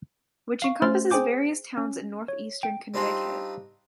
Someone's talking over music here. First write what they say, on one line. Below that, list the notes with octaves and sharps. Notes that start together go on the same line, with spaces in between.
Which encompasses various towns in Northeastern Connecticut.
F5 C#6
A3 C#4 C5 C6 F6 A6
G#4 C5 G5 G#5 D6 G6
C#4
C#5
G5
G3 C4 D4 D#4 F4